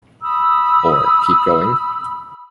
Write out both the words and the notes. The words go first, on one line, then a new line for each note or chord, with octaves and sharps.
Or, keep going?
B5 D#6 E6